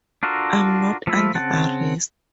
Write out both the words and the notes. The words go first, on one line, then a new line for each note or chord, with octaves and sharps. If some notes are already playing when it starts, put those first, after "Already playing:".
I'm not under arrest.
D4 F4 F#4 A4 A#4
F3 A3 F4 E5 B5
C#3 C4 F#5 A5